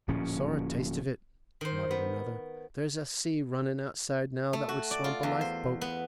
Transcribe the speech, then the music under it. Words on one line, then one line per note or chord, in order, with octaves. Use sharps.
"Sorra taste of it," muttered another; "there's a sea runnin' outside now that would swamp a life-boat."
D1 A#2 F3 C#4
D#3 C5
B3
A3
F#4
D5
F4
E2
C5
B3